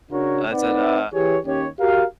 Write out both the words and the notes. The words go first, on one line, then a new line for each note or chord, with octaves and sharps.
Uh, is that, uh
C#3 D4 F#4 A#4 C#5
C4 D#4 B4 D5 F#5
E3 G4 G#4 C#5
D#2 C#4 G4 C#5
F#4 G4 A#4 F5